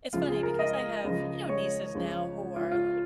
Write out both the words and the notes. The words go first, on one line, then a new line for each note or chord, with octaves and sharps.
it's funny because I have, you know, nieces now who are, like
C#2 C#3 F3 F4
G#4
A#4
D#5
C#2 C#3 F3
C#5
C#2 C#3 F3
F4
F4